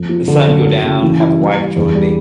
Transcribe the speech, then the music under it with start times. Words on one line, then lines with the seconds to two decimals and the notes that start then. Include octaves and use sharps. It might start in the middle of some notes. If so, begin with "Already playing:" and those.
the sun go down, have the wife join me,
Already playing: F2
0.09 F3
0.28 D3
0.47 F#2
0.65 F#3
0.84 C#3
1.02 E3
1.20 E4
1.39 G3
1.57 G3
1.76 E2
1.95 G3